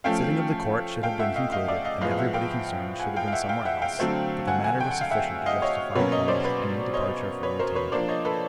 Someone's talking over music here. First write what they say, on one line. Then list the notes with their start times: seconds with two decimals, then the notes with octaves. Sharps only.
The sitting of the Court should have been concluded, and everybody concerned should have been somewhere else, but the matter was sufficient to justify almost any departure from routine.
0.04 F3 A3 C#4 F5 G5
1.03 F5 G5
1.19 E5 F#5
1.35 D#5 F5
1.52 D#5 F5
1.68 D5 E5
1.84 D#5 F5
2.01 A2 F3 G#3 B3 D#5 F5
2.11 F5
2.18 E5 F#5
2.34 F5 G5
3.00 F#5 G#5
3.16 F5 G5
3.28 F5
3.32 E5 F#5
3.49 F5 G5
3.65 E5 F#5
3.82 F5 G5
3.99 D3 F#3 A3 C4
4.47 F#5 G#5
4.64 F#5 G#5
4.80 G5
4.91 F#5
5.01 F5
5.11 E5 F#5
5.46 D#5 F5
5.62 C#5 D#5
5.95 B2 F#3 A#3 C#4 B4 C#5
6.12 C#5 D#5
6.28 C5 D5
6.44 B4 C#5
6.94 C#5 D#5
7.43 B4 C#5
7.59 A#4 C5
7.75 B4 C#5
7.92 F3 A#3 D4 C5 D5
8.08 C#5 D#5
8.25 A4 B4